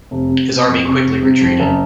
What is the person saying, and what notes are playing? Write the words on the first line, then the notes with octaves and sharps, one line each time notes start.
His army quickly retreated.
F1
C3
C3
F2
C3 C#6
F1
C3
F2
F#1